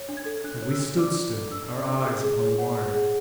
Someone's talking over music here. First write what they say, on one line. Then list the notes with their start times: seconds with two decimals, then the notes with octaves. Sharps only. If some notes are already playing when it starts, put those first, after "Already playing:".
And we stood still, our eyes upon the wire.
Already playing: C#5
0.09 D4
0.17 G#6
0.25 A4
0.44 D4 F#6
0.62 C#5
0.71 E6
0.79 D4
0.97 D5 D6
1.15 D4
1.34 A4
1.52 D4 E6
1.69 D5
1.88 D4
2.05 G#4
2.24 G#4
2.41 C#5
2.59 C#5 F#5
2.78 G#4
2.95 G#4